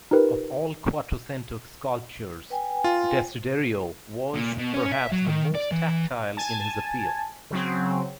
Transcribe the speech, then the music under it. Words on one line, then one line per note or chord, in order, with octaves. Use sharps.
Of all Quattrocento sculptors, Desiderio was, perhaps, the most tactile in his appeal.
D#4 F4 G4 A#4 B4
B4 G5 G#5
F4
A#2
B2
C#4
E5
F#3
D#3
D5
E3
G#5 A5
C#3 F#3 C4